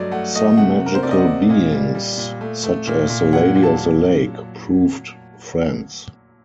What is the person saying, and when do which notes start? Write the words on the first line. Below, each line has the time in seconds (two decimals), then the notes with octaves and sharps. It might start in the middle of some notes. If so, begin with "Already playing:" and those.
Some magical beings, such as the Lady of the Lake, proved friends.
Already playing: G2 F#3 A3 D5 D#5
0.11 A3 F#5
0.35 A3 D#5
0.57 C3 F#5
0.80 C3
0.86 A#4
0.95 C5
1.03 C3 D5
1.11 D#5
1.18 F#5
1.27 C3
1.49 A#2 D#5
1.72 G3
1.95 G3
2.18 A#2
2.41 A3
2.64 A3
2.87 A#2
3.10 A#2
3.32 F#3 F#5
3.55 A#2
3.63 A5
3.79 A#2